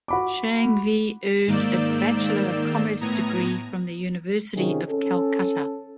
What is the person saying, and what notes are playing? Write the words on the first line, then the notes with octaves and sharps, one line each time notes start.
Shanghvi earned a Bachelor of Commerce degree from the University of Calcutta.
F#4 B5 D6
G#2 D#3 A#3 D5 E6 G6
A2 B3 A#5 D#6 G#6
C3 D#3 C#4 F4 G#4
C#4 A4